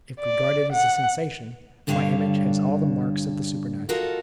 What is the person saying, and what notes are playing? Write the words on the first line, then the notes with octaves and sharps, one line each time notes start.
If regarded as a sensation, my image has all the marks of the supernatural.
D5
F#5
G2 D3 G3 D4 C#5 F5
F4 F#4 A4 A#4 D#5